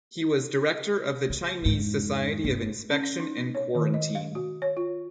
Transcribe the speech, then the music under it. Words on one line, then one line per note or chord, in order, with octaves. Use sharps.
He was director of the Chinese Society of Inspection and Quarantine.
C#3
F2 G#2
G1
C#4
D#4
C#5
D#3
D#5
F5
F#4
C#5
F4